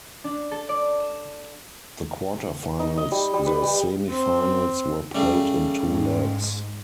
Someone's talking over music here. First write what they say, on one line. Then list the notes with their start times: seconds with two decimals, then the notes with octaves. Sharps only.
The quarterfinals, the semifinals were played in two legs.
0.24 D4
0.51 A4
0.69 D5
1.00 E7
2.79 D#4
2.97 D#5
3.12 G3
3.34 G3
3.46 B4
3.63 G3
4.09 C4
5.15 C#3 G3 A3
5.85 G#2 G#3